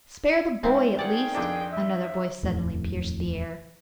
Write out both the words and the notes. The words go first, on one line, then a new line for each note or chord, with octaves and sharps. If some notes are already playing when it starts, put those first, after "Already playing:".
"Spare the boy at least!" another voice suddenly pierced the air.
G#2 C4 E4
D#3 G#4 D5 F#5 G5
F2 D4 D#4
E5
D#1 F2 A2